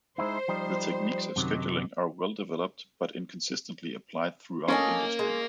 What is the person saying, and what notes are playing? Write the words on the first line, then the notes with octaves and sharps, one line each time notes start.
The techniques of scheduling are well developed but inconsistently applied throughout industry.
G#3 D#4 E4 C5
F3 G3 D#4
F#2 C3 D#3 F#3
C#4 A4 A#4 D#5 F5 G#5
G#3